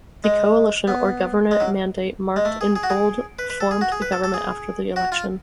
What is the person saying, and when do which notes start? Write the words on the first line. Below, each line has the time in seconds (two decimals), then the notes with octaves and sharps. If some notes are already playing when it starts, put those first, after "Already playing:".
The coalition or government mandate marked in bold formed the government after the election.
0.24 G#3
0.87 B3
1.51 G#3
1.60 F#3
2.36 G#3
2.45 A3
2.61 G#4
2.76 G#4
2.83 F#4
2.90 G#4
3.39 B4
3.50 B4
3.60 A4
3.71 G#4
3.81 F#4
3.92 G#4
4.02 B4
4.12 A4
4.24 A4
4.34 G#4
4.96 F#4
5.12 F4